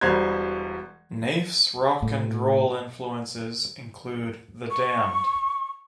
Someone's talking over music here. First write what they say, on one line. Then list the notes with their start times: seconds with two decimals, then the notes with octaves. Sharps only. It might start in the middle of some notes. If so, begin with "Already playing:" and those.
Naiff's rock and roll influences include The Damned.
0.01 E1 B2 G3 C5 A#5 G#6
2.02 A2
4.71 C#6